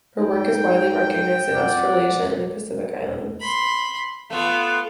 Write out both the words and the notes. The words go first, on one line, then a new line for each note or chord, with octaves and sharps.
Her work is widely recognized in Australasia and the Pacific Islands.
G#2 G5
F2 D5 F#5
B5 C6
A3 B3 F4